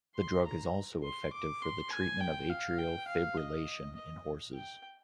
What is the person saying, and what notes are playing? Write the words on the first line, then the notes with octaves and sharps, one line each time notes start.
The drug is also effective for the treatment of atrial fibrillation in horses.
C6
A#5
C6
D6
C6
G#5
G5
F5
G5
F5
D#5
D#5
G5